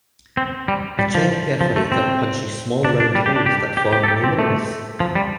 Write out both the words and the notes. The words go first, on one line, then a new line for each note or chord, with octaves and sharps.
A check perforator punches small round holes that form numerals.
C4
G3
G3
F3
F3
A3
C4
D4
D4
G3
G4
D4
G4
G4
G4
A4
G4
C4
A3
F3
G3